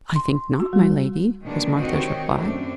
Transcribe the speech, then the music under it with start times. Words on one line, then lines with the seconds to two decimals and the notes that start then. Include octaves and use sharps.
"I think not, my lady," was Martha's reply.
0.16 C6
0.60 F#4
0.73 G3
1.43 B2 D#3 G3 G#3 A#3 D4
1.78 D#3 C4 F#4 G4 C#5 D#5
2.36 F#2 A3 C4 D4